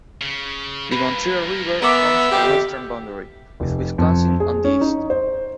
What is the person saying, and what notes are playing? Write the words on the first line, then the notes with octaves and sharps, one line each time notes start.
The Montreal River forms the western boundary, with Wisconsin on the east.
C#3
G2 A#3 B4
D3 B3 A#4 E5 G#5 D6
F2 G4
F1
F2
G#4
C#4
D#4
C5